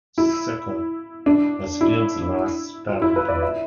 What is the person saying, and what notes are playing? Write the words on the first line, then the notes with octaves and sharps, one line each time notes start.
"Sucker" was Fields' last starring film.
E4
D4
E4
F4
E4
B4
D5
E5